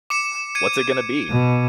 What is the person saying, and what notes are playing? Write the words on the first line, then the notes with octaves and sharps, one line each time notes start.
What's It Gonna Be?!
D6 C#7 E7
G#6 C#7 D#7
B2